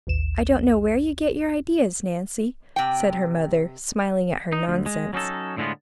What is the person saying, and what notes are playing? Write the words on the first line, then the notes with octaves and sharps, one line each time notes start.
"I don't know where you get your ideas, Nancy," said her mother, smiling at her nonsense.
A1 D#2 E7
C3 G5
D#4
D2
G#3
F#3 C#4 D#4 A4
A2 D3 G#3 B3 F4